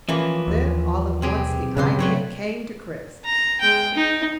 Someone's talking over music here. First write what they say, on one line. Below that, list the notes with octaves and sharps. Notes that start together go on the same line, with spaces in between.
Then all at once the idea came to Chris.
E3 F3 A#3 C#4
D#2
B1 C3 C4 G4 G#4
G2 C#3 G3 C6
A2 C3 F#3 C5 C#5 F#5
A#5
G#3 G5
D#4